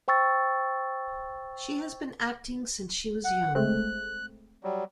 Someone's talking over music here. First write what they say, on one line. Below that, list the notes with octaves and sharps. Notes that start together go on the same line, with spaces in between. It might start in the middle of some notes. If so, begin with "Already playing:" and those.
She has been acting since she was young.
C5 G5 C#6 E6 A6
F#5
G#3 A3 C4 F#6
F#3 G3